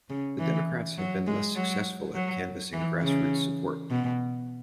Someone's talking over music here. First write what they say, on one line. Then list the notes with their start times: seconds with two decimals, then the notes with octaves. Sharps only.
The Democrats have been less successful at canvassing grass-roots support.
0.10 C#3
0.39 E3
0.98 F#3
1.27 G#3
1.55 F#3
2.14 F#3
2.73 E3
3.02 C#3
3.90 B2